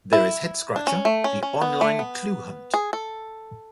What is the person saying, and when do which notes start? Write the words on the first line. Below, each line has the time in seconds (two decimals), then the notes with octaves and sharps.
There is headscratcher, the online clue-hunt.
0.13 E4
0.76 D4
0.87 C#4
1.05 A3
1.24 C#4
1.43 C#4
1.62 B3
1.81 A3
1.99 B3
2.74 G#4
2.93 A4